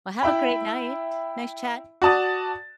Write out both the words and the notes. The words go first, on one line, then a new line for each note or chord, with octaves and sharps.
Well, have a great night. Nice chat.
E4 E5 G5 B5
F#4 D5 A5 D#6 A6